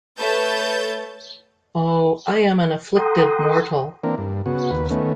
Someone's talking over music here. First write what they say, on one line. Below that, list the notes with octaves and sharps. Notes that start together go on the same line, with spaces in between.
Oh, I am an afflicted mortal.
A3 B4 C#5 A5 G6 A6
A4 F#5 G5 A#5 C6 D#6
E3 A#3 C4 D4 A#4
G2
C#3 B3 F#4
D#2 B4
D#3 A3 B3 C#4